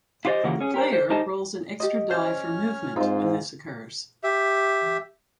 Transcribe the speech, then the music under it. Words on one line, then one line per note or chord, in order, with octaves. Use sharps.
The player rolls an extra die for movement when this occurs.
E4 F4 G4 C5 D5 D#5
C#3 E3 A#3 F4 G4 F#5
C#4 G#4
G4 A#4 C5
C5
D#4 G4 A4 C5 D#5 A5
G4 D#5
C#4 F#4 C5 C#5 A5 F6
G#2 C4 D#4 F4 C5
G4 E5